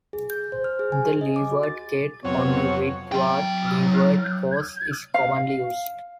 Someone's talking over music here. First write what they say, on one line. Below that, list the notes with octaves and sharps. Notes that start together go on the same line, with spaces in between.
The leeward gate on a windward-leeward course is commonly used.
G#4
G6
C5
F6
G#4
G#5
G#4
D#5
D6
F#4
A6
F2 C3 F#3 B3 C4 C#5
F#3 G5
F5